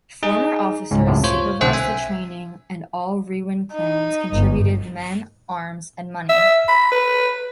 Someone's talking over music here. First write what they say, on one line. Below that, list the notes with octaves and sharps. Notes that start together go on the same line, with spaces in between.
Former officers supervised the training and all Reewin clans contributed men, arms, and money.
D#4 G#4
C#2 G#2
C#2 F#2 A2 C3
F4 C5 C#5
B1 D3 C4 C5 F#5
E5 G#5
D#4
G1 G2
E5
B5
B4